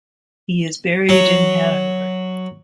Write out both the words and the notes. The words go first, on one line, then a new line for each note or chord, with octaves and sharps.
He is buried in Hanover.
F#3